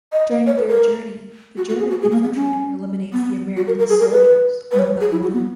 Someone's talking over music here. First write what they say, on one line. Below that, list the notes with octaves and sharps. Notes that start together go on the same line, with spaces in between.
During their journey the German infiltrator eliminates the American soldiers one by one.
D#5
C#5
B4
A#4
F#4
F#4
G#4
F#4
G#4
A#3
B3
C#4
B3
F#4
A#4
A#4
G#4
A#4
B4
B4
C#5
G#4
E4
F#4
B3